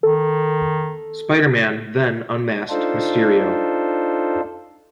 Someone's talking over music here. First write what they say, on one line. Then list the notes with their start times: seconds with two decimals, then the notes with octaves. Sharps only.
Spider-Man then unmasked Mysterio.
0.03 D#3 A4
2.70 D4 D#4 F4 A4 C5